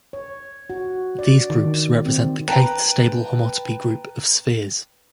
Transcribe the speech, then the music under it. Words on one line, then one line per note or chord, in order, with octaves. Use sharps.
These groups represent the "k"th stable homotopy group of spheres.
C#5
F#4
D5
D#3
C4
B4 G5 A5 A#5